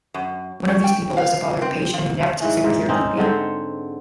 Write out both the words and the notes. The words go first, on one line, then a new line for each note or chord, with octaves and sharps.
One of these people is the father of Page, an inept superhero groupie.
F#2
C#4
G5
F5
C4
F3
G#2 E3 C#4
G#2
C4 C#4 D#4
G#2 D3 C4 C#5